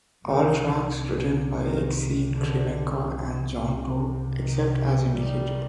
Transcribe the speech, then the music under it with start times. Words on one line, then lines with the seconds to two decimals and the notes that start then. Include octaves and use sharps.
All tracks written by Exene Cervenka and John Doe except as indicated.
0.24 C2 C3 D#3
1.63 D#3
2.32 D3
3.02 C2 C3
4.40 D#3
5.09 D#3 G3